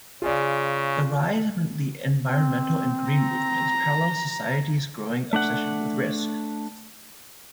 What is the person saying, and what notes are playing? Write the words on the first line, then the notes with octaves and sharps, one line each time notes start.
The rise of the environmental and green movements parallels society's growing obsession with risk.
C#3 F4 G#4 D5
C4
A#5
A3 D4 F#5